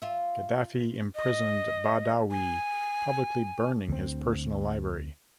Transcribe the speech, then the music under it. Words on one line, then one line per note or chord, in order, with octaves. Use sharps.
Gaddafi imprisoned Badawi, publicly burning his personal library.
F4 E5
D#5
G#5
D2 C4